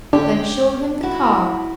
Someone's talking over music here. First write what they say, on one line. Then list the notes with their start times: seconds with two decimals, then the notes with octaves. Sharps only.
Then show him the car.
0.13 D3 C#4 G4
1.03 E4 F#4